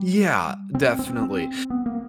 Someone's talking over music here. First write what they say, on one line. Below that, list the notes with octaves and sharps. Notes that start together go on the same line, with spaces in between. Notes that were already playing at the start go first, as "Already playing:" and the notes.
Yeah, definitely,
Already playing: G3
C4
C4
C4
B3
A#3